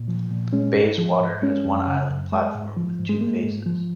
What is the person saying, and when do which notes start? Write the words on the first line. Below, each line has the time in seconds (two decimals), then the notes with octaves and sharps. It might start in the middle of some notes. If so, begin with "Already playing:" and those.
Bayswater has one island platform with two faces.
Already playing: A#2
0.08 F3
0.30 A#2
0.53 G#3 C#4
0.76 G#2
0.98 F3
1.20 G#2
1.42 G#3 C#4
1.65 F#2
1.87 C#3
2.09 F#2
2.32 G#3
2.55 G#2
2.77 F3
2.99 G#2
3.09 G#3
3.21 G#3 A#3
3.44 G#2
3.66 F3